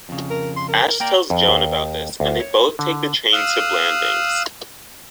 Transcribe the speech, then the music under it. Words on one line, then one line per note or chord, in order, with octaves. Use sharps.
Ashe tells Joan about this, and they both take the train to Blandings.
F2 C#3
A#4
C6
A#4
A#3 A#4 D5 G5
F2
D#2
D2
C#5
D3
F5 D#6 E6 F#6